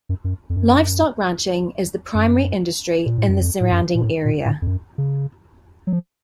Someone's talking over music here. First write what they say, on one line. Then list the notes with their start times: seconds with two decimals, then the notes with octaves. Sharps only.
Livestock ranching is the primary industry in the surrounding area.
0.09 F#2
0.24 F#2
0.50 F2
0.56 F#2
2.15 F#2
3.06 A#2
3.18 A2
3.29 F#2
3.41 F2
3.61 A2
3.72 F#2
3.95 A#2
4.03 A2
4.25 A#2
4.45 A2
4.62 F2
4.67 F#2
4.98 C#3
5.87 F#3
5.93 F3